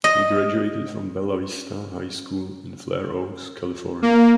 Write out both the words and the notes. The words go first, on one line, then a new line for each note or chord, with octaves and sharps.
He graduated from Bella Vista High School in Fair Oaks, California.
D#5
A#3